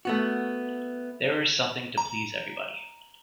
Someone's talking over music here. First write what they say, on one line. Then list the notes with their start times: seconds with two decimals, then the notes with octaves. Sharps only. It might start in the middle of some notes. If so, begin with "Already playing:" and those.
There is something to please everybody.
0.05 A3 B3 F#4
1.98 A#5